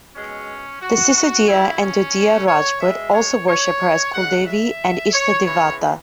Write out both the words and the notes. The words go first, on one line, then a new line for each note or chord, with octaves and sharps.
The Sisodiya and Dodiya Rajput also worship her as Kuldevi and Ishtadevata.
B2 G#3 C#4
F#4
C#3 F#3 E4
C#4
C#5
B2 G#3 E5
C#5
C#5
C#3 G#3 F#5
E5
C#5
C#3 E3 G#3 C#5